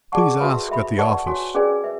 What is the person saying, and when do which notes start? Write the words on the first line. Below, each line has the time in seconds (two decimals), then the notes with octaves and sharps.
"Please ask at the office."
0.12 G#4 D5 F#5 A5 C#6
0.40 F#4 B4 E5 B5
0.69 A4 E5 B5
0.97 B4 D5 F#5 A5 C#6
1.26 F#4 C#5 G#5
1.55 C#4 G#4 B4 D5 G#5
1.84 B4 E5